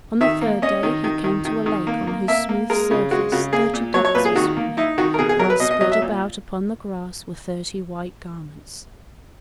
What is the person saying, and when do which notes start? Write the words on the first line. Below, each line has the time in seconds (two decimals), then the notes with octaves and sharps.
On the third day he came to a lake on whose smooth surface thirty ducks were swimming, while spread about upon the grass were thirty white garments.
0.21 D#3 E5
0.41 A#3
0.62 C#4 D#5
0.83 D#3
1.04 D#3
1.24 D#3
1.45 D#3
1.66 D#3
1.87 A#3
2.07 A#3
2.28 A#3 E5
2.49 A#3
2.70 G#3 A#4
2.91 C#3
3.11 G#3 F#4
3.32 C#3 F#4
3.52 A#3 G#4
3.74 A#2
3.94 F#3 C#5
4.05 C#5
4.15 A#2 B4
4.25 G#4
4.36 D#3 F#4
4.57 A#3
4.77 D#4 E4
4.98 D#3 F#4
5.14 A#4
5.18 B2 G#4
5.29 G#4
5.39 F#3 A#4
5.50 B4
5.60 B2 D#5
5.71 D#5
5.81 F#3 D#5
5.92 E5
6.02 A#2